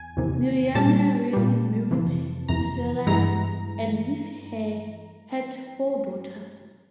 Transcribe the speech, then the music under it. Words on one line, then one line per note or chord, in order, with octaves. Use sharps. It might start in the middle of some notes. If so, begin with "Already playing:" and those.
Naryana Reddy married Suseela and with her had four daughters.
Already playing: E2 G#5
E2 C3 D#3
A#2 G3 A5
A#2 G3
F2 C3 E3
F2 C3 E3 A#5
G2 E3 G#3 A#5